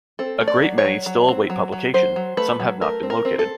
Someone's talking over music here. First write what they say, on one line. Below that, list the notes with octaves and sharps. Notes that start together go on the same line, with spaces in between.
A great many still await publication; some have not yet been located.
C4 A4
A3
D5
F#3
C#5
F#3
F#3
C4
F#3
F#3
F#3 C5
F#3
A3 B4
F#3
A3 A#4
C4
A#4
C4
A4